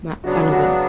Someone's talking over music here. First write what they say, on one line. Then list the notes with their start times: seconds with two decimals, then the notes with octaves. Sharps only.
Matt Canavan.
0.24 C#3 F#3 B3 D4 F#4
0.52 F#4